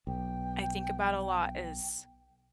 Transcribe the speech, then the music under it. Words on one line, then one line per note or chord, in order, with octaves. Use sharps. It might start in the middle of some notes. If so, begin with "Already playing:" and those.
I think about a lot is,
B1 G5